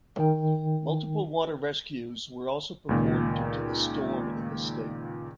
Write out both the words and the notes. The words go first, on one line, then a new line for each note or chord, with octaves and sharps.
Multiple water rescues were also performed due to the storm in the state.
D#3 G5
C#2 A#2 D#3